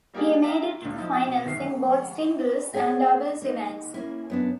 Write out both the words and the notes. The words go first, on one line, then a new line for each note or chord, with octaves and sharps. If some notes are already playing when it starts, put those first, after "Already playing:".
He made it to the finals in both the singles and doubles events.
G3 A#3 D#4 G4 G#4 D5
E5 F5 G5 A#5
C#2 A#2
F3 D#4 E4
B2
F#1 D#3 E5 C7
C4 G#4 C#5 D5 F#5
A#3 D#4
A#3 C#4 E4
F#2 B3 D4